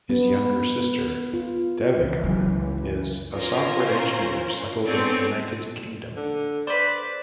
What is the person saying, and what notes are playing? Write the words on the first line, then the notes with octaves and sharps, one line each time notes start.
His younger sister, Devika, is a software engineer settled in the United Kingdom.
B3
F4
C#2 E3
F#3
C#4 F4 A#4 C5
B3 C4 G#4 A4 C#5 D5
D3
B4 C5 D5